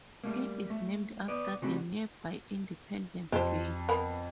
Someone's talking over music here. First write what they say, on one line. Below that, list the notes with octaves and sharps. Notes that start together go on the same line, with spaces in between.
It is named after the nearby Independence Gate.
G3 A3 A#3
A3
B3 D5
C#3 G3 A3 C4 F#4
F2 G4 C5
B3 A#4 B5